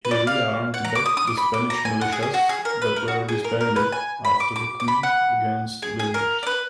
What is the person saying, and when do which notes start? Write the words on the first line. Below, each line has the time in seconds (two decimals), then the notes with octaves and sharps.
He rearmed back the Spanish militias that were disbanded after the coup against Liniers.
0.05 B4
0.11 D5
0.27 F5
0.74 F#5
0.85 A#5
0.95 D6
1.06 D#6
1.17 D#6
1.27 D6
1.37 B5
1.54 D6
1.70 A#5
1.85 G#5
2.01 F#5
2.12 G#4
2.23 G#4
2.34 F#4
2.49 G#4
2.65 A#4
2.82 B4
2.96 A#4
3.08 F#4
3.29 G#4
3.44 A#4
3.61 A#4
3.76 B4
3.92 G#5
4.25 B5
4.40 D6
4.56 D6
4.80 D6
4.88 B5
5.03 F#5
5.82 G#4
5.99 G#4
6.14 A#4
6.43 D5
6.47 B4